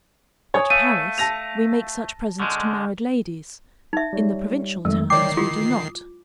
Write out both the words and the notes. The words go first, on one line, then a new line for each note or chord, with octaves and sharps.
At Paris, we make such presents to married ladies; in the provincial towns, we do not.
C#5 G#5 D#6
A3 F5 E6 D#7
A5 A#6 F7
D3 G#3 C#6 F6 G6
D#4 E5
G3 C#5
F2 D#3 F#3 G#3 A3
D#3 C#5 D5 G5 D6 C7
E4 F4 D#6